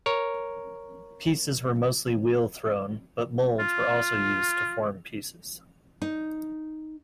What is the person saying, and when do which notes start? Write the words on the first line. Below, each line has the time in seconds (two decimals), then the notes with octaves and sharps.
Pieces were mostly wheel-thrown, but moulds were also used to form pieces.
0.06 A#4 C#5
3.59 F4
6.02 D#4